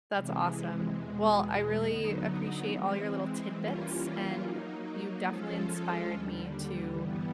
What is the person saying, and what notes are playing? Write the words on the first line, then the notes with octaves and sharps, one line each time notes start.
That's awesome. Well, I really appreciate all your little tidbits, and you definitely inspired me to
C3 E3 G#3
E2 B2 G#3
D3 F#3 B3 D#4
E3 G#3 C4
E3 G3 A#3 C#4 F4
F#3 A#3 D#4
F3 G#3 C#4 F4 A4
D#2 D3 G3
G2 E3 G3 B3